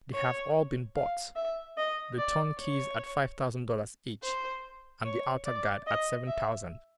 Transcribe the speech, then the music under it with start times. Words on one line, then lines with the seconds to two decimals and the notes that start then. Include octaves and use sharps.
They have all been bought--the turnkeys at five thousand dollars each, and the outer guard at seven thousand.
0.13 C#5
0.96 F5
1.36 E5
1.78 D#5
2.18 D5
2.59 C#5
4.23 C5
5.05 C#5
5.46 D5
5.87 D#5
6.27 E5